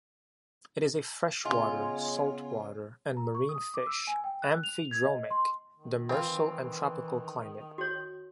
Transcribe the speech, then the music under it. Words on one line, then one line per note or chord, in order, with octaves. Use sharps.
It is a freshwater, saltwater and marine fish; amphidromic; demersal and tropical climate.
C#3 G#3 B3 C#4 F4 C#5
A#5
C#6
D#6
D6
E6
G#5
G5
F#6
F7
G#6
D#5
C6
D#3
E3 C4 F4
F#4 C#5